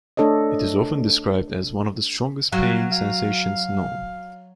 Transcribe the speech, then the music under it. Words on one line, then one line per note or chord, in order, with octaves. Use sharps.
It is often described as one of the strongest pain sensations known.
A3 D4 A4 C#5 D#5
F#3 F5
F5